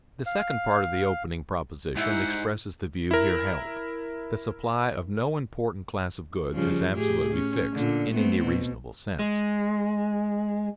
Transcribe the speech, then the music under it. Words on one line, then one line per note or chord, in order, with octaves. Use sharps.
The second part of the opening proposition expresses the view here held: the supply of no important class of goods is absolutely fixed, in any reasonable sense.
F5
G#2 G3 E4 C5 E5 F#5
E4 A#4
C#3 F3 G3
A2 G4 G#4
C#4
A#2 D3
A3 B3 C4
B2
G#3